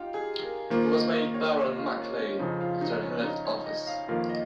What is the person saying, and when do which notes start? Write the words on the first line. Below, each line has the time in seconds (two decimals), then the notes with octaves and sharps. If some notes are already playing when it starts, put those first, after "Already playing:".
He was made Baron Maclay after he left office.
Already playing: D#4 F4 G4
0.14 G#4
0.42 A#4
0.70 D#3 A#3 F4 C5
0.92 D#5
1.13 D#5
1.34 C#5
1.76 F4
1.97 C#4
2.18 C#4
2.39 F2 C#3 F3 D#4
2.61 F4
2.81 D#4
3.03 C#4
3.23 D#4
3.45 C#5
3.66 D#5
3.87 F5
4.08 F2 D#3 A#3 F4 A#4 F5
4.29 D#5